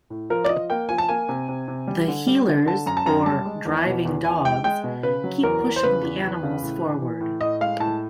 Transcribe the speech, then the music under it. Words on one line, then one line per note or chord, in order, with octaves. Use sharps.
The "heelers" or driving dogs keep pushing the animals forward.
A2
F3 A#4
D5
F3 D#5
A#3 G5
F3 G#5
A5
A#3 G#5
C3
C3
C3
G3
D3
G3
D3
D3 A5
F#2 A#5
A5
F#2 A#5
G3 A5
G#3
E2
B2
E2
E2 G#5
G#3 G5
G#3 G5
B2
C#3 B4
F#3
E2 A#4
E2
C5
C#3 B4
E2
E2
C#3
A2
E3
E3
A2
A2 D#5
G#3 F5
A2 A5